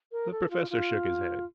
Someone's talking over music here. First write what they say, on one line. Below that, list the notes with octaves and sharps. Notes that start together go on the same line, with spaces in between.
The professor shook his head.
A#4
A4
F4
F4